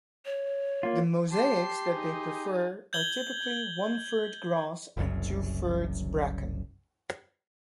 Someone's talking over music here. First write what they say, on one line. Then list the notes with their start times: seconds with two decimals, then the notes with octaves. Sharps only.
The mosaics that they prefer are typically one-third grass and two-thirds bracken.
0.25 C#5
0.83 A#3 F4
1.32 G4 A5 C6 C7
1.94 D#4 G#4
2.93 G6 G#6 F#7 G7
4.97 F#1 C2 F#2